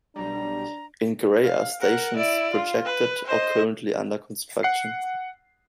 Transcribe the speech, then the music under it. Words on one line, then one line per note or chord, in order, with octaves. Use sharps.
In grey are stations projected or currently under construction.
B1 G3 D4 A#5
F5
A#4 F#5
E4 D5
F4
B4
C5 D#5
F#5 C7